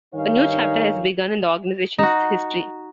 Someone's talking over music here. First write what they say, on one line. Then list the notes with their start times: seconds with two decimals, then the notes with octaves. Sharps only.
A new chapter has begun in the organization's history.
0.13 G2 D#3 D#4 C#5 F5 G#5
1.98 D#4 F#4